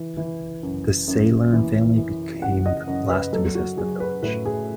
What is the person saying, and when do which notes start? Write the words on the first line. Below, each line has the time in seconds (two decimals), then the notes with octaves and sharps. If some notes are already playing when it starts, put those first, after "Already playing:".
The Seilern family became the last to possess the village.
Already playing: E3
0.17 E3
0.63 F#2
1.08 F#2
1.53 E3
1.97 E3
2.42 F#2 F#5
2.66 D#5
2.87 F#2
3.10 B4
3.33 F#3 A4
3.55 F#4
3.77 F#3 G#4
4.00 B4
4.23 A2 B4
4.46 G#4